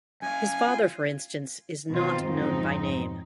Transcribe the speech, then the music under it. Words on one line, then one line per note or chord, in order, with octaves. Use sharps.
His father, for instance, is not known by name.
F#2 F5 G#5
F4
B2 D#3 C4 F4 C5
F2 G#2 F3 F#3 C4 D#4